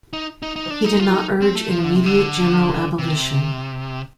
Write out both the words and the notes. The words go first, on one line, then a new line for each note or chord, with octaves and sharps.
He did not urge an immediate, general abolition.
D#4
D#4
D#4
D4
D#4
F4
D#4
C4
A3
F3
D3
C3
D3
C3